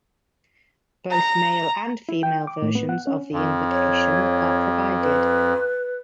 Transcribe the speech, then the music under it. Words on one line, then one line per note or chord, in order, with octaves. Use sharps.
Both male and female versions of the invocation are provided.
A#5
E4
G5
D6
A2
B3
F#5
C#4
F2
C#5
B4